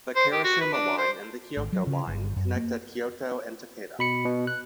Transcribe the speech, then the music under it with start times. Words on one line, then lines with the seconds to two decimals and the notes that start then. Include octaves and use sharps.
The Karasuma Line and the Kyoto Line connect at Kyoto and Takeda.
0.16 C5
0.32 G4
0.44 F#4
0.61 B4
0.73 D4
0.98 C5
1.57 G#1
1.72 F#3
1.87 C#3
2.07 G1
2.36 F#2
2.56 A#3
3.99 B2 B5 C#7
4.25 B2
4.47 F#6